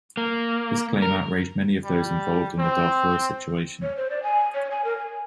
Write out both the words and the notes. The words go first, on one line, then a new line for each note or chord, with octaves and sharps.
This claim outraged many of those involved in the Darfur situation.
A#3
A#4
G3
C4
C#5
C5
D5
G#5
C#5
G#5
A#4
G#5